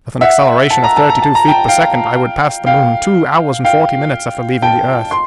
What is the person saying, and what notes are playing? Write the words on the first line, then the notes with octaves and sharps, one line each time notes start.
With an acceleration of thirty-two feet per second, I would pass the moon two hours and forty minutes after leaving the earth.
E5 F#5
A5
A#5
A5
A#5
A5
A#5
G5 A5
F5 G5
F5 G5
F5 G5
G5 A5
C6